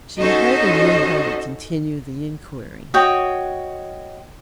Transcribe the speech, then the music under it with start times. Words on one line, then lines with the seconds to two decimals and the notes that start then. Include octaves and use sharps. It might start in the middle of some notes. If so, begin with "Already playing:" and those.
She hardly knew how to continue the inquiry.
0.20 C#4 D#4 F#4 A4 C5 D#5
2.94 F#4 C#5 D#5 G5